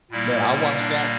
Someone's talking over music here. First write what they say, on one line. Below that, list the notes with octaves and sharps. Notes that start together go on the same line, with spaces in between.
Man, I watched that
A#2 G3 A#3 E4
D4